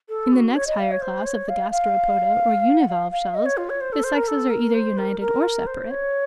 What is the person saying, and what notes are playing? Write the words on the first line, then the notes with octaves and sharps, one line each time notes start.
In the next higher class of the Gasteropoda, or univalve shells, the sexes are either united or separate.
A4
F#4
C#5
D#5
F5
C#5
C5
C#5
F5
F5
F#5
F5
F5
D#5
C#5
F4
C#5
C5
A4
C5
A#4
A4
A#4
C5
A#4
A#4
C5
C#5